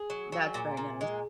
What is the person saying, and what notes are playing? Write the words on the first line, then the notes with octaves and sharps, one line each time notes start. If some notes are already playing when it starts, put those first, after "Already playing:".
That's very nice,
Already playing: G#4
F#3
F#3
A#2
A#2
G#3